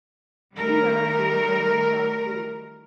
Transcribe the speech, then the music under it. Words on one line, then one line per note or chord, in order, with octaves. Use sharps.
In one of these, Nielsen shouts, Hey!
D#3 G3 A3 A#4